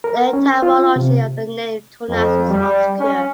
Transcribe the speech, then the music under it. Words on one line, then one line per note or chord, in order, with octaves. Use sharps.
The etymology of the name Tunas is obscure.
A#4
C#4
F4
C3
F2
G3
C#4